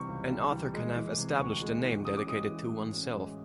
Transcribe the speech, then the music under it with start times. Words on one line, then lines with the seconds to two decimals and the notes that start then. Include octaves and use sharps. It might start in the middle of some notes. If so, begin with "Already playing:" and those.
An author can have established a name dedicated to oneself.
Already playing: C3 E3 G3 C#6
0.08 C#2
0.30 G3
0.52 E3
0.74 G#3
0.96 E3
1.17 C3
1.39 D2 C#6
1.62 G#3
1.83 E3
2.05 C#4 D#6
2.17 D6
2.27 G#3 D#6
2.49 E3
2.71 A2
2.93 C#4
3.15 G#3